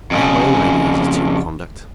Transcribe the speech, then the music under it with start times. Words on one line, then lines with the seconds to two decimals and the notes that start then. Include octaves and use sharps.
"I have my own ideas as to your conduct."
0.11 F2 C#3